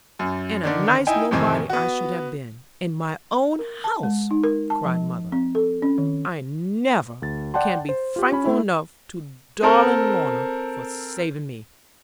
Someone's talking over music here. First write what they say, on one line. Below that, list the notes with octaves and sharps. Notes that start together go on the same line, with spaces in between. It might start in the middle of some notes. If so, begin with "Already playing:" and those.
'And a nice nobody I should have been, in my own house!' cried mother: 'I never can be thankful enough to darling Lorna for saving me.
F#2
D3 D#3 D4
D#4 E4 G5 G#5
F2 A2 C3 D#3 E3 C4
B3 F#4
A#4
A5
G#3
D#4
A#4
A5
F3
C4
A4
C#4
D#3
D2 A6
D5 F#5 G5 A5 C6
C5
F4 G4
C#4 B5
A3 E4
C4 A4 A#4